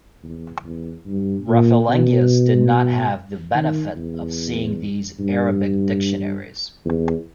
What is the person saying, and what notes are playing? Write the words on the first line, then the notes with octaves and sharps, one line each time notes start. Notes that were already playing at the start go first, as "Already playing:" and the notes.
Raphelengius did not have the benefit of seeing these Arabic dictionaries.
E2
E2
G2
A#2
B2
D#3
E2
G2
E2